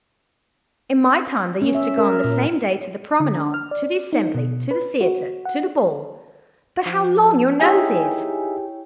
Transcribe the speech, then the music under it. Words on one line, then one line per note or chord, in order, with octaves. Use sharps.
In my time they used to go on the same day to the promenade, to the assembly, to the theater, to the ball--But how long your nose is!
C#4
E5
A#4
A#2
D3
D4
F6
D5
D#4
B2
B4
F#4
F#5
F3
D#4 E4 G4 G#4 C#5 E5 G5 G#5